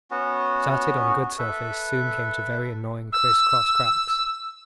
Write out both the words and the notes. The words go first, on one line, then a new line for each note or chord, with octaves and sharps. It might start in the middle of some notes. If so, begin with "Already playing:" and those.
Started on good surface, soon came to very annoying criss-cross cracks.
B3 C#4 F#4
A4 B4 E5
E6